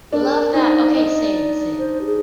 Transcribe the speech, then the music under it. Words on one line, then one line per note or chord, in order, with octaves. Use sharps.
Love that! Okay, same, same.
D4 A#4
G#4
A#4
D#4 C5
D5
D#4 D#5
D5
C5
G4
G#4